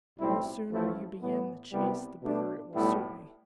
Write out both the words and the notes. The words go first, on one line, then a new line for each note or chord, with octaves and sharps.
"And the sooner you begin the chase the better it will suit me."
B1 A2 G3 C4 E4
A1 A2 F3 A3 E4
A2 E3 B3
C2 C3 G3 B3
B2 A3 D4
B1 A2 G3 B3 E4